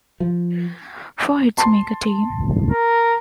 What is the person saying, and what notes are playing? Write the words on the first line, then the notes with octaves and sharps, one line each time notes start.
Four hits make a team.
F3
A5 C6
A#4